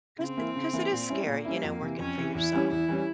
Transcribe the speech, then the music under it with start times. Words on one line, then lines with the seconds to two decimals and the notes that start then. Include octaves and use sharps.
'Cause 'cause it is scary, you know, working for yourself,
0.19 C#3 C4
0.37 E3 A#3 E4
0.55 C#3
0.73 E3 A#3 E4
0.91 A#2
1.09 G3 C#4 E4
1.27 A#2 A#3
1.45 G3 C#4 E4
1.63 F2
1.80 C3 E3
1.99 F2 C#4
2.17 C3 E3
2.35 E2 E4
2.53 E3 G3 C#4
2.70 E2 E4
2.88 E3 G3 C#4